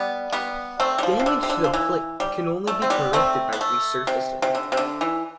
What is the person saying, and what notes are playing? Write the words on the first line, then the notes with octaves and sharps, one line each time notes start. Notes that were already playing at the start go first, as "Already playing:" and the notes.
Damage to the plate can only be corrected by resurfacing.
Already playing: G3 B3
G3 B3
A3 C4
G3
F3
C3
D3
C3
D3
F3
E3
G3
A3
C4
G3 B3
A3 C4
B3
A3
C3
C3
D3
C3
D3
E3